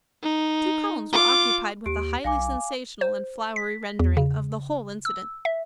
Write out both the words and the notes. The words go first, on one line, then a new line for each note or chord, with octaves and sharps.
Two columns were occupied with a highly sensational and flowery rendering of the whole incident.
D#4
F4 D6
D#2 G4 D7
B1 F5 G#5 D6
C5
B6
E2
C#3
E6
E5